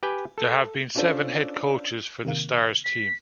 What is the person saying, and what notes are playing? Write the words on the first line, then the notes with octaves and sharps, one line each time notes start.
There have been seven head coaches for the Stars team.
G4 B4 G5 G#5
A4
C#4 D4 F4 A4 C5 D5
C3 D#3 A#3
B6